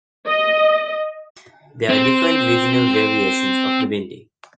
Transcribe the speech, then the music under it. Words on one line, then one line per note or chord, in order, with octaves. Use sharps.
There are different regional variations of the bindi.
D#5
C4 C5